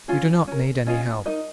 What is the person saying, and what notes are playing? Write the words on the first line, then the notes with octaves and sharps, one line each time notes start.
You do not need any help.
C#4 F4 G#4
C#4 A#4
C#4 F4 G#4 D#5
D#4 A#4 D#5